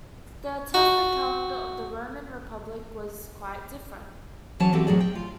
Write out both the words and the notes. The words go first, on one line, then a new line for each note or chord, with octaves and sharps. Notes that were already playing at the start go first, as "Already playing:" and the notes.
The attested calendar of the Roman Republic was quite different.
F#4
E3 F#3 C#4 C#5 A5
E3 C4 F#4 G4 A4
A2 F#3 C4 G#4 D5
G5
F4